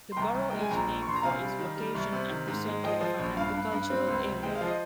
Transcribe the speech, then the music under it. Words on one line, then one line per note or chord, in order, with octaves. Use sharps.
The borough is named for its location at the center of an agricultural area.
C6
C2 G5 A#5
C2
G#3 G5
G#5
A#1 G5 A#5
A#1
C#6
A#1 C6
A#5
C3 F5 G#5
G3
D#3
G3
C2
C3
D#3
G#2
G#3
F3 D#5 G5
F3
A#1
G2 F5
G2
G2
C4
C#2
C3
G#3 G5
F5
F3
D#5